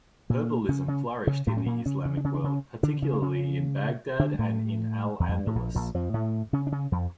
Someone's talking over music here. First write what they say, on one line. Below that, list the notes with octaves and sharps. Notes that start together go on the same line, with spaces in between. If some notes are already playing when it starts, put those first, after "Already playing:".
Herbalism flourished in the Islamic world, particularly in Baghdad and in Al-Andalus.
A#2 A#3
C#3 C#4
C#3 C#4
C#3 C#4
A2 A3
C#4
A#2 A#3
C#3 C#4
C#3 C#4
D4
C#3 C#4
D4
C#3 C#4
D3 D4
C#3 C#4
A#3
C#3 C#4
D3 D4
G3
A2 A3
E2
F2
G2
A2
A#1 A#2
A#1 A#2
F2 F3
A2 A3
C#3 C#4
D4
C#3 C#4
F2 F3